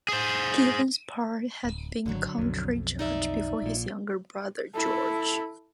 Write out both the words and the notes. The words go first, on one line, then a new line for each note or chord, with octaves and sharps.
Givens Parr had been county judge before his younger brother George.
G#4 C5
D1
D#1 G#1 D3 F#3
B1 F2
D#4 D5 E5
A#1 A#2
E4 A4